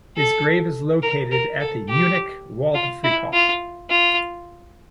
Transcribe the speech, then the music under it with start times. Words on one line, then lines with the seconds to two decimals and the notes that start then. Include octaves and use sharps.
His grave is located at the Munich Waldfriedhof.
0.17 A4
1.03 A#4
1.31 A#4
1.60 A4
1.89 G4
2.75 F4
3.04 E4
3.33 F4
3.90 F4